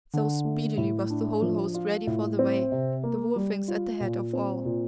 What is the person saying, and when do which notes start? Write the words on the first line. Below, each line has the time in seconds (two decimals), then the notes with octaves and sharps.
So speedily was the whole host ready for the way, the Wolfings at the head of all.
0.14 D3
0.45 A3
0.78 A2
1.10 D4
1.42 F3
1.74 F4
2.07 A2
2.39 C4
2.72 C3
3.03 A#3
3.36 G3
3.68 F4
4.00 A#2
4.33 C4
4.65 A#2